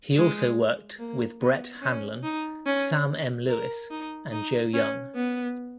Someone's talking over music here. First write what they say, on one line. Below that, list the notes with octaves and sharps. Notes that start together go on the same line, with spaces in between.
He also worked with Bret Hanlon, Sam M. Lewis, and Joe Young.
G#3
A#3
B3
C#4
D#4
C#4
A#4
D#4
D#4
C#4
B3